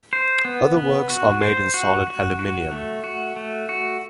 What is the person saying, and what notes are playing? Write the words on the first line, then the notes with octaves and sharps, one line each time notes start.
Other works are made in solid aluminum.
C5
B3
B3
F#4
C5
F#4
F#4
F#4
A3
F#4
A3
F#4